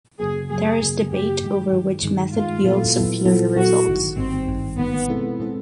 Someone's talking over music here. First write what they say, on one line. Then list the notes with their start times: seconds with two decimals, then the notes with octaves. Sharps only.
There is debate over which method yields superior results.
0.20 F#2 C#3 F#3 A#3 G#4
0.50 F#2 C#3 F#3 A#3 G#4
0.81 F#2 C#3 F#3 A#3
1.11 F#2 C#3 F#3 A#3 G4
1.41 G2 D#3 G#3
1.73 G2 D#3 G#3
2.03 G2 D#3 G#3
2.34 G2 D#3 G#3 F4
2.64 A#2 F#3 B3 E4 A4
2.95 A#2 F#3 B3 E4 A4
3.25 A#2 F#3 B3 E4 A4
3.56 A#2 F#3 B3 E4 F#4 A4
3.87 G#1 G2 D#3
4.16 G#1 G2 D#3 C4
4.47 G#1 G2 D#3
4.78 G#1 G2 D#3 B3
5.08 B2 G#3 C4 E4 A4
5.40 B2 G#3 C4 E4 A4